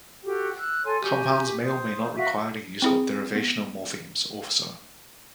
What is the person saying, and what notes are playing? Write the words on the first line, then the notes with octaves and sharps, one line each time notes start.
Compounds may or may not require the use of derivational morphemes also.
F#4 G4 A4 G5
E6 F#6
A4 C#5 G#5 C6
F#4 G4 G#5
C5 D#6
F#4 E5 F5
C4 E4 G#4
B3